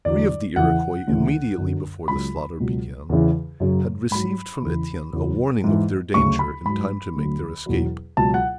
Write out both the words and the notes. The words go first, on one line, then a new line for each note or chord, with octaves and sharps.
Three of the Iroquois, immediately before the slaughter began, had received from Etienne a warning of their danger in time to make their escape.
E2 D3 F#3 D5
E2 C#3 E3 F#5
D2 C#3 E3
F#2 D3 F#3
C#2 C#3 F#3 B5
C#2 B2 F#3
E2 C#3 E3
F#2 C#3 F#3
G#2 F#3 B5
E2 C#3 E3
E2 C#3 F#3
G#2 E3
D2 C#3 F#3 C#6
B5
G#2 F#3 B5
D2 D3 F#3
E2 B2 F#3
C#2 B2 F#3 A5
F#5